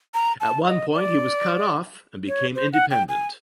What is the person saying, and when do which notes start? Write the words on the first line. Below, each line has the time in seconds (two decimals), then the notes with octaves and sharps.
At one point he was cut off and became independent.
0.14 A#5
0.40 A5
0.67 D#5
0.95 D5
2.28 C#5
2.55 C5
2.73 F#5
2.91 G5
3.09 G#5